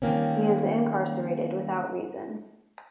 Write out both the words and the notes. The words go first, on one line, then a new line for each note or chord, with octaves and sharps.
He is incarcerated without reason.
D#3 G3 A#3 C4 C#4